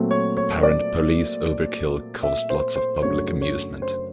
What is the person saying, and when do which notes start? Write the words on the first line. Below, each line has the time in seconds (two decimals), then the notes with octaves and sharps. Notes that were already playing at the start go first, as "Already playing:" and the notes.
Apparent police overkill caused lots of public amusement.
Already playing: A#2 F#3 A3 C4
0.11 C#5
0.37 C#5
0.63 D5
2.23 E5
2.50 C5
2.76 C5
3.02 F#2 C#3 F#3 A3 D4 C#5
3.42 C#5
3.82 C5